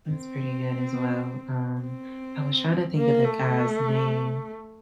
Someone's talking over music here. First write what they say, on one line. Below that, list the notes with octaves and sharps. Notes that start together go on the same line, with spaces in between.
It's pretty good, as well. Um, I was trying to think of the guy's name.
C4
C4
A#3
A3